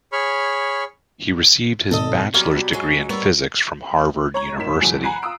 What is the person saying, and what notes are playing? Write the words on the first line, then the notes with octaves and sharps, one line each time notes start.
He received his bachelor's degree in physics from Harvard University.
G#4 C#5 B5 C#6 F6
G#1 B2 A4 D#5
B2 F#3 G3 D6 F6 G#6
F#3 G#3
G3 B3 A#4 C#5 E6
C#5 A#5 C#6 G#6
F#2 A2 D#4 A#4 B6 E7
F2 B2 E3 F#3 G#3 G#5
F#5 G#5 A#5 B5 F#6 C7
F4 A#5 D#6 E6 D7